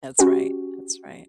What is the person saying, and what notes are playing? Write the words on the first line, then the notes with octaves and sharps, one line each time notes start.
That's right, that's right.
C#4 F#4 G4